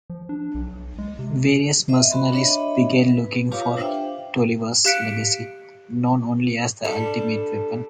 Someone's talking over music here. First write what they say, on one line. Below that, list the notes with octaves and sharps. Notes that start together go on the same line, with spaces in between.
Various mercenaries began looking for Tolliver's legacy, known only as the ultimate weapon.
F3
D4
B1
G#3
C3
C5 D#5 E5
F#4 B5 C6
D4 C#5 D#5 E5 B5
B4
F4 G4 B4 C#5 F5 D6
D4 C5 E5 F5 G5
G4 F5 F#6 B6 C#7 D7
G3 D4 A4